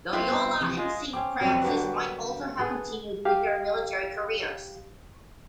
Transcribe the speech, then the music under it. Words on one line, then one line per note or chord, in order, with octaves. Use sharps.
Loyola and Saint Francis might also have continued with their military careers.
F#3 C4 E4 F4
G2 B3
C3 E3 F3
G#3 F4
C4 C#4 D6
F2 C3 F#3 G3 C4
D3 A#3 B3 F#4 G4
B3 G#4 A4
G4 F5